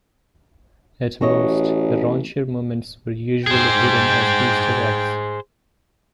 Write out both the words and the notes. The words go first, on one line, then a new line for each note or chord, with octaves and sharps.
At most, the raunchier moments were usually hidden as Easter eggs.
A1 F#4 C#5 D#5
G#4 C5 G5